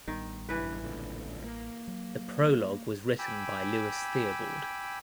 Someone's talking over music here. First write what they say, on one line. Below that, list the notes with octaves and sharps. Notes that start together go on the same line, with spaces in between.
The prologue was written by Lewis Theobald.
A1 D#3 G3 B3
F#1 G2 E3 B4
C#2 A#2 D3
A#3
F#3
G5 G#5 B5 D6 E6